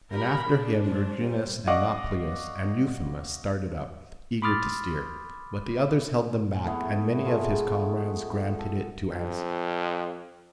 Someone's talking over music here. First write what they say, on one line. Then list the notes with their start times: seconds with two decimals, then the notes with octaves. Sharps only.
And after him Erginus and Nauplius and Euphemus started up, eager to steer. But the others held them back, and many of his comrades granted it to Ancaeus.
0.12 G4 A#4 B5
0.49 D4 G#4
0.85 C5
1.19 G3
1.68 D5 D#5 F5 F#5 C#6 D6
4.42 B5 C6 D6 D#6 F6 A6
6.67 A3 B3 E4 F5
7.25 G#3 A3 F4
8.59 A4
9.09 F2